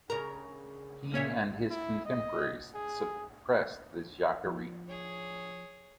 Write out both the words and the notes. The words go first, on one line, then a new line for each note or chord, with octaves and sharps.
He and his contemporaries suppressed the Jacquerie.
C#3 A#4 A#5
A#2 A#3 C#4 C#5 E5
E4
D#5
G#4
F3
G#4 C#5